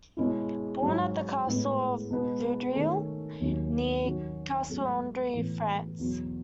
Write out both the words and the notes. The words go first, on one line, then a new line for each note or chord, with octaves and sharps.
Born at the Castle of Vaudreuil, near Castelnaudary, France.
B2 G#3 C#4 E4
G#2 F#3 C#4
A2 G#3 B3
B2 G#3 B3
D#3 A3 C#4
D#2 D#3 F#3 C#4
D#3 F#3 C#4 F#4
G#2 F#3 A3
A2 E3 B3
E2 B2 F#3